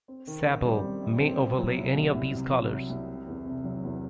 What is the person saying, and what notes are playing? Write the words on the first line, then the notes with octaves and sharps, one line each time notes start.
Sable may overlay any of these colors.
C4
D#3
F#2
G3
C4
F#2
C4
C4
F#3
C2
C2
C2
C3
F#3
C3
C2
C3
E2
C3
F#3
E2